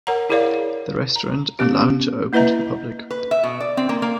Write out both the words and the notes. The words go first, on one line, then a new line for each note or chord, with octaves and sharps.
The restaurant and lounge are open to the public.
A#4 C#5 F#5 A#5
E4 G#4 A#4 C#5 D5 F5
A#5
B3 C#4 G4
A#3 E4 B4 D#5 E5 A#5
B4
E5
B2
D5
C4
A#3
A#3